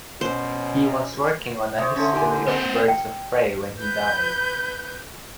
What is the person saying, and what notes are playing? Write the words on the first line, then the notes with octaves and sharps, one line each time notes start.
He was working on a "History of Birds of Prey" when he died.
B2 C#4 C5
C3 C5 C#5 D#5 E5
D3 C#4 A4 C5 C#5 E5
D#4 G4 A#4 G#5
B3 C4
G5
B4 G6